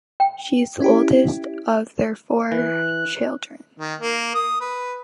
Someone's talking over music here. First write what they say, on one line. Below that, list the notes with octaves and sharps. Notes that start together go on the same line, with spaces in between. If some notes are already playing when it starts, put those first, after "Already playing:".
She is the oldest of their four children.
G5
C#4 E4 G4
E3 F#6
D#3
A#3
D#6
B4